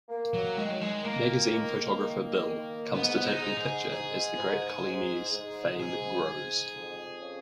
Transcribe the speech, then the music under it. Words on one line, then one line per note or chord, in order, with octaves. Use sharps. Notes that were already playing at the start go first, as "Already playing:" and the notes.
Magazine photographer Bill comes to take their picture as The Great Collinis' fame grows.
A#3
F#3
D#3 G#3
F#3
G#3
D#3 A#3
D#3
D#3
D#3
G#2 B3
D#4
G#2
G#4
G#2 G#4
G#2
G#2
G#2
G#2 G#4
G#2
F2
C#3